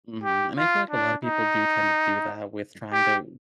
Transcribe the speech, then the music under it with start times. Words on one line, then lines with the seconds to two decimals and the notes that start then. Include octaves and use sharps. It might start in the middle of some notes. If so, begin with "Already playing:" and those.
Mhm, and I feel like a lot of people do tend to do that with trying to
0.24 G4
0.58 F4
0.91 D4
1.25 D#4
2.93 G4